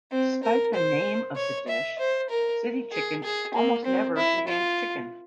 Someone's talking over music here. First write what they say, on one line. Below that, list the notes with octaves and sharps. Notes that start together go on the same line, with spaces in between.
Despite the name of the dish, city chicken almost never contains chicken.
C4
A#4
C5
C#5
E5
C5
A#4
G#4
G#4
A#3
C4
E4
F4